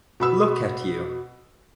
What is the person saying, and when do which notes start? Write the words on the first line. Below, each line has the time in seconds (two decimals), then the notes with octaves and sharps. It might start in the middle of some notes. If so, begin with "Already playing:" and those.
Look at you.
0.20 B2 B5 E6